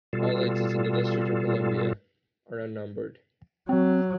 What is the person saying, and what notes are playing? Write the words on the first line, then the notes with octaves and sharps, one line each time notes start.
All exits in the District of Columbia are unnumbered.
B2 G3 F4 A4
F#3 C4